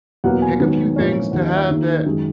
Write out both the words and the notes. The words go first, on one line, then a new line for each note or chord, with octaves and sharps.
pick a few things to have that
E2 B2 F#3 A#3 F#5
G#5
G#2 D#3 F#3 B3
A#1 G#2 E3 A#3 C#4
D#2 D#3 A#3 C#4 F#5
D#5
E5
D#2 D#3 A#3
F#2 D#3 G#3